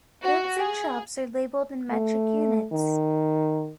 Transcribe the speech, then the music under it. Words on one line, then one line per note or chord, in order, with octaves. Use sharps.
Goods in shops are labelled in metric units.
F#4
G#4
A3
D#3